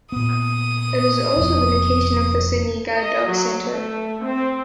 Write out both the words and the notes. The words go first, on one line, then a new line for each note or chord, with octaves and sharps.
It is also the location of the Sydney Guide Dog Centre.
A#2 B3 D#6
F1 F2 B2
D#5
F#3
A3
C4